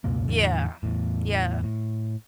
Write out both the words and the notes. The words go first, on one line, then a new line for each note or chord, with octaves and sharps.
Yeah, yeah.
C#2 F#2 B2 A#3
E2 A2 D3
E2 A2
A2